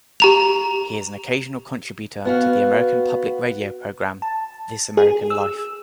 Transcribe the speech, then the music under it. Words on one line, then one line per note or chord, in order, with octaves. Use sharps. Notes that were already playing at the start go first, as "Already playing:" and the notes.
He is an occasional contributor to the American public radio program "This American Life".
G4 A#5 F7
B3 F#4 F5
A5
G#4
E6